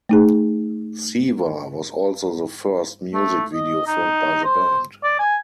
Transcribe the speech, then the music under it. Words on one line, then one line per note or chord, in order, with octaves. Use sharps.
"Siva" was also the first music video filmed by the band.
A3 D#4 G#4
A3
D#5
D#4
C5
D5
G#5